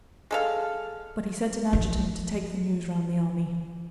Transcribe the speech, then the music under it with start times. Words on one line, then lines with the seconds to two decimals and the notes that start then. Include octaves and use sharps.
But he sent an adjutant to take the news round the army.
0.31 G#3 A4 F5
1.73 F3 E4